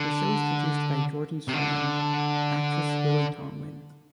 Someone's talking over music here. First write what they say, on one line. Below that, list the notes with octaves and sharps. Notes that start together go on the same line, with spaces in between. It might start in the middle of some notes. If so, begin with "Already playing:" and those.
The show is produced by Jordan's friend, actress Lily Tomlin.
Already playing: D3
C3
D3